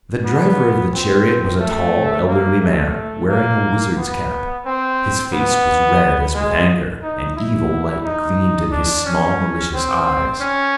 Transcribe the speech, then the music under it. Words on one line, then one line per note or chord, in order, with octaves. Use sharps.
The driver of the chariot was a tall, elderly man, wearing a wizard's cap; his face was red as with anger, an evil light gleamed in his small malicious eyes.
B3
C4
A3
A#3
A3
A#3
B3
C4
B3
G#3
D#4
E4
D#4
D4
C#4
C4
C#4